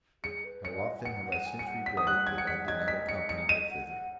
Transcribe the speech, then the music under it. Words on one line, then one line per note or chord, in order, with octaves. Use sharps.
How often have I since regretted that I did not accompany her thither!
G#4 C#7
B4
C#5 C#7
F#5
D#5
G#5
F#5 C#7
F#5
D#7
G#5
C#7
F#5
B6
D#6
F#6
G#6
C#7
B6
F#5
D#5 G#6
B6
C#7
C#7
D#5 D#7
D#5
F#5
F#5